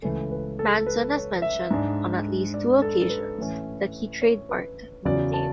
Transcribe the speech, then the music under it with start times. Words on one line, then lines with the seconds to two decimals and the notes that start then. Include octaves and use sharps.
Manson has mentioned on at least two occasions that he trademarked the name.
0.02 C#2 C#3 E3 A3 C#4 A4
0.31 B4
0.59 A4
0.86 B4
1.15 C#5
1.42 E5
1.71 G#2 G#3 D4
2.54 D5
2.82 A4
3.02 A4
3.09 B4
3.38 A2 E3 A3 C#4
4.22 C#5
4.49 B4
5.05 E2 C#3 F#3 D5
5.33 A5